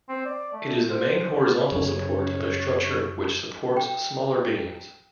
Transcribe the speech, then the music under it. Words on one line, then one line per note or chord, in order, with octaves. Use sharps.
It is the main horizontal support of a structure which supports smaller beams.
C4
D5
A3
C5
F#2 C#3 C#5
G5